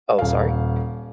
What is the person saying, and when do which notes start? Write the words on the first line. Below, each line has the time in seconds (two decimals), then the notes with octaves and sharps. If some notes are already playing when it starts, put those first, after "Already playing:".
Oh, sorry?
0.19 D#1 F5